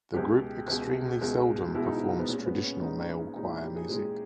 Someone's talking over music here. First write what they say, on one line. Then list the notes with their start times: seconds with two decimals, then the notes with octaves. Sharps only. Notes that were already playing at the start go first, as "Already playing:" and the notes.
The group extremely seldom performs traditional male choir music.
0.14 C#2 B2 G#3 G4
0.68 C#2 B2 G#3
1.21 C#2 B2 G#3
1.74 C#2 B2 G#3 E4
1.85 D#4
1.94 E4
2.19 B3
2.29 A#2 G#3 C#4
2.46 B3
2.64 C#4
2.82 A#2 G#3 D#4
3.36 A#2 G#3 D#4
3.49 E4
3.62 G4
3.76 G#4
3.89 A#2 G#3 G#4